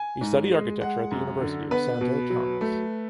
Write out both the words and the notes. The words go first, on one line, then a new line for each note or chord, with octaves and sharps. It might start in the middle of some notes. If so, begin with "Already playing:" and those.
He studied architecture at the University of Santo Tomas.
Already playing: G#5
G#2
G#3
G#3 F#5
F#2
D3
B3 B4
B2
F#3
A3